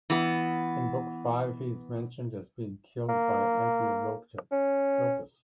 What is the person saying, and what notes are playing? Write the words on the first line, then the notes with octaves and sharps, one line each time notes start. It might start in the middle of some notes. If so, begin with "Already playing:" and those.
In Book Five, he is mentioned as being killed by Antilochus.
E3 B3
A#3
C#4